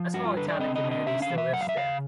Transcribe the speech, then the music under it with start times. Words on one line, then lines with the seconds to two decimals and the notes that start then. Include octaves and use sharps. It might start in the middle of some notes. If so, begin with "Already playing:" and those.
A small Italian community still lives there.
Already playing: F3
0.14 G2 F#4
0.25 F4
0.37 D3 B4
0.48 D5
0.60 C4 D#5
0.76 D#5
0.84 D3
0.91 D#5
1.07 C#4 E5
1.22 F5
1.30 E3
1.38 E5
1.53 F#2 F#5
1.61 F5
1.69 E5
1.76 C#3 F5